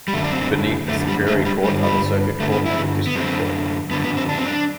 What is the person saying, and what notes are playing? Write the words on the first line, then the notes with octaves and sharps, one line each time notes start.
Beneath the superior courts are the Circuit Court and the District Court.
G3
F#2 D3 A3
D4
C4
F#2 D3 A3
G3
A3
G3
G2 D3 G3
G3
G2 D3 A3
B3
E4
B3
F#2 D3 C4
F#2 D3 B3
B3
C4
D4
C4
D4